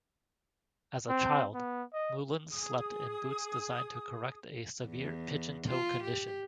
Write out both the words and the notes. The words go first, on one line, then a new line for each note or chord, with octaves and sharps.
As a child, Mullen slept in boots designed to correct a severe pigeon-toe condition.
C4
B3
D#5
G#4 D#6
E2
F4
G4